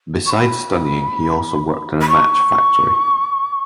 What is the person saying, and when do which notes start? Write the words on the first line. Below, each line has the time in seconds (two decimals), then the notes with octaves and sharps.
Besides studying, he also worked in a match factory.
0.26 C#6
0.30 B5
2.01 B5
2.09 C#6